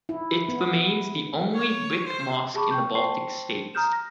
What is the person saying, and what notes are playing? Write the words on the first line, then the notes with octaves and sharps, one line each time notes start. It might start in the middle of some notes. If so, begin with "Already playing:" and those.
It remains the only brick mosque in the Baltic states.
E4
B3
C#5
C5
G4 G#4 A5 B5 C#6 D6
G5 C#6 G6
C5 G5 A5 C6 C#6 C7
A#5 D#6 F6 G6 E7
A#6